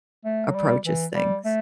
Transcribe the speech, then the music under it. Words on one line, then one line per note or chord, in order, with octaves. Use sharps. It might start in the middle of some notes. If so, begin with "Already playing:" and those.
approaches things?
A3
F#3
G3
E3
G3
A3